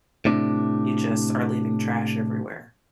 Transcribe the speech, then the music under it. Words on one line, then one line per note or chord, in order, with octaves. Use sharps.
you just are leaving trash everywhere.
A2 C3 D4